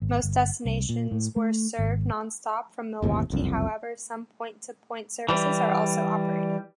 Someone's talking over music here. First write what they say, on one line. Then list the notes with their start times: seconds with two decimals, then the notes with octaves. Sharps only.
Most destinations were served nonstop from Milwaukee; however, some point-to-point services were also operated.
0.02 G#1
0.23 G1
0.65 C2
0.89 A#2
1.11 A2
1.36 A3
1.79 G#1
3.02 G1 D#2 A2 C3
3.30 F#1 C2 F2
5.29 E3 G3